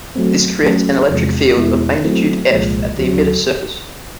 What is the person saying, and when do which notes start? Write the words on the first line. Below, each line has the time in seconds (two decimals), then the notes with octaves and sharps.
This creates an electric field of magnitude "F" at the emitter surface.
0.15 F#3 A3 C4
0.63 F#3 A3 C#4
1.10 E2 C3 F3 G#3
1.56 E2 B2 G#3 B3 E4
2.03 F#3 A3 C4 E4
2.51 C2 A#2 F3 G#3
2.98 D2 D3 F#3